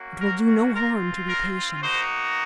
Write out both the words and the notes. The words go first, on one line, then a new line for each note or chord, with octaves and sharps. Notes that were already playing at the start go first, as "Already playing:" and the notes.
It will do no harm to be patient.
Already playing: A#3 C#4 F#4
A#4
C4 F4 A#4
A#4
A#3 D#4 F#4 C5